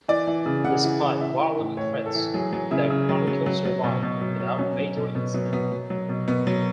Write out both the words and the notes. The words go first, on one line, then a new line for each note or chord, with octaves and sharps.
Despite violent threats, the Chronicle survived without major incident.
E3 D5
E3
C#3
C#3 F#5
E3
E3
E3 E5
E3
A2
A2 C#5
E3
A4
E3
F#3 G#4
F#3
C#3 E4
C#3
F#3
F#3
F#3
F#3
B2
B2
F#3
F#3
F#3 C#4
F#3
B2
B2 B3
F#3 B3
F#3 B3
F#3
F#3
B2
B2 B3
F#3